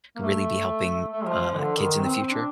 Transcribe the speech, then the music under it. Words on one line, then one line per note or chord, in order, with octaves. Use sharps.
really be helping, uh, kids in the future?
A#3
A3
A3
F3
F3
D3
D#3
C4
C4
D4